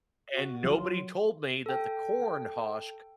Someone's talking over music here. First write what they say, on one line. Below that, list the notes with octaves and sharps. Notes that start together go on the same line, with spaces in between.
and nobody told me that the corn husk
F#4
F#3 F4
C6
A4 G5